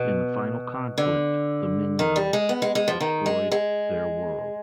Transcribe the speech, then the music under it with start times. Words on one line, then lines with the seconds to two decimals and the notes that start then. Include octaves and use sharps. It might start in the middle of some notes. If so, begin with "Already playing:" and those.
In the final conflict, the Minyans destroyed their world.
Already playing: B2
0.98 D3
1.99 D#3
2.16 G3
2.33 G#3
2.49 B3
2.62 G#3
2.75 G#3
2.88 F3
3.00 D#3
3.26 G#3
3.51 G#3